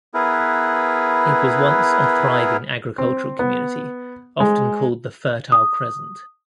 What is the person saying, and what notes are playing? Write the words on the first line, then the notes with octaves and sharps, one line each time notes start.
It was once a thriving agricultural community, often called the "fertile crescent".
B3 E4 G#4 A#4 B4
C4
B3
G#3
D#6